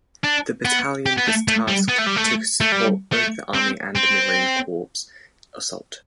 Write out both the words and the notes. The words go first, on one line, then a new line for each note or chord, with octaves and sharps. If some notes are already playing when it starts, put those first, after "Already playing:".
The battalion was tasked to support both the Army and the Marine Corps assault.
D4
B3
G4
B3
A3
A3
G3
B3
A3
G3
A3
A3
G3
A3
C4
C4